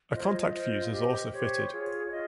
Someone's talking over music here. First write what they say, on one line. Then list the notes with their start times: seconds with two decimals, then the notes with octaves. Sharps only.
A contact fuse is also fitted.
0.12 F4 C5 D#5
0.21 C#5
0.26 D#5
0.39 D#5
0.53 F4 C5
0.92 G4 C5
1.32 G4 C5 C#5
1.73 F4 G#4 C#5
2.06 C#5
2.12 F4 D#5